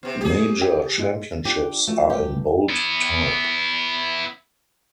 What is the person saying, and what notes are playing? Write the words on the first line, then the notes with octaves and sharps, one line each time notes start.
Major championships are in bold type.
C3 B3
G4 G#4
G5
G#2 G#3
D4 F4 G4
F3 A3 F#4
D#1 G2 G4
B3 E4